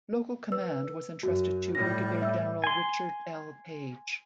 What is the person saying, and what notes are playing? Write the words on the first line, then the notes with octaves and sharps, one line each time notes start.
Local command was entrusted to Brigadier General Richard L. Page.
B4 E6
F#2 F#4
A2 G3 A#6
E5 E6
G#5 C6